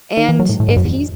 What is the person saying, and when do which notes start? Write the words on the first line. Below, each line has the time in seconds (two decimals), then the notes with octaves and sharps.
And if he's
0.17 D#3
0.29 E3
0.39 F#3
0.49 A2
0.60 A2
0.68 G#2
0.76 F#2
0.85 E2